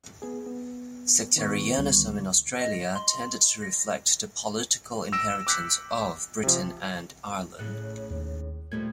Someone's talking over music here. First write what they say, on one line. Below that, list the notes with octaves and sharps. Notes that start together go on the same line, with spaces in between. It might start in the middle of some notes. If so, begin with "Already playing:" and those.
Sectarianism in Australia tended to reflect the political inheritance of Britain and Ireland.
B3 G#4
B3
D#3 B3 C#6
C#2 D3 G3
D#5
C6
A#6
E6 A#6 D7 E7
D6 E6 F#6 G6 B6 C#7
C3 F3
A2 C#3 F#6
D#2
A#2 F3 G3 A3 G#6